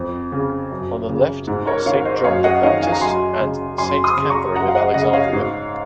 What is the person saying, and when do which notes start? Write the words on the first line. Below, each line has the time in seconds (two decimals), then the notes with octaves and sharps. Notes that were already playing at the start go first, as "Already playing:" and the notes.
On the left are Saint John the Baptist and Saint Catherine of Alexandria.
Already playing: F2
0.32 C#3
0.71 F#2
1.09 C#3
1.47 G#2
1.67 A#4 C#5
1.86 D#3 C#5 F5
2.05 C5 D#5
2.24 F#2 C#5 F5
2.44 D#5 F#5
2.63 D#3 C#5 F5
2.83 F5 G#5
2.92 A#5
3.01 F#2 G#5 C6
3.40 C#3
3.78 F#2 G#5 C6
4.04 C6 D#6
4.17 C#3
4.30 A#5 C#6
4.55 F#2 F#5 A#5
4.68 F5
4.75 D#5 F#5
4.94 C#3 D#5 F#5
5.13 C#5 F5
5.33 G#2